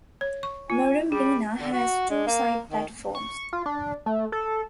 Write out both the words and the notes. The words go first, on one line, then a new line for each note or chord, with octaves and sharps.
Murrumbeena has two side platforms.
C#5
C#6
F4 G#5
G3 G#4
D3
F#4
G#3
A#3
D#3
C#6
F4
D4
A3
A4